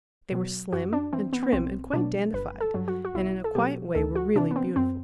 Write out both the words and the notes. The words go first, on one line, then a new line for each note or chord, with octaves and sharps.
They were slim and trim and quite dandified, and in a quiet way were really beautiful.
B2 F#3
F#2 F#4
D4
E3 C4
B3
B3
B1 C4
B2 F#3 D4
G1 B4
A4
G2 F#3
F#4
F#4
B1 E4
A4
B2 F#3 G4
D2 A4
F#4
C3 E3 D4
B3
C4
F#2 C4